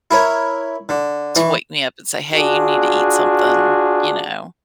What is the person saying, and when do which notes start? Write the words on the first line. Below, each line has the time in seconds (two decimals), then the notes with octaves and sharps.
to wake me up and say, "Hey, you need to eat something," you know.
0.11 E4 A#4 C#5
0.89 D3
1.36 E3 C#6
2.34 D4 F4 F#4 G#4